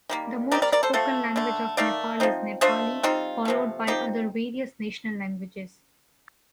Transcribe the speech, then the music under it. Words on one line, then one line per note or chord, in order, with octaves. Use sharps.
The most spoken language of Nepal is Nepali followed by other various national languages.
D#3 G3 A#3
G3 C4 D#4 A#4 D5
A#4 D5
A#4 D5
A4 C5
F3 A3 C4 A4 C5
D3 A3 D4
D#3 A3 D#4 D5 F5
F3 C4 D#4
F3 A3 D4 C5 D#5
G3 C4 D#4 F4
C3 F3 A3
F3 C4 D#4 G4